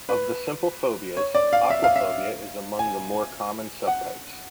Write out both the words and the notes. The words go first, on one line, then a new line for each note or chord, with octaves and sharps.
Of the simple phobias, aquaphobia is among the more common subtypes.
B4
C#5
D5
F5
E5
F5
E5
G#5
F#5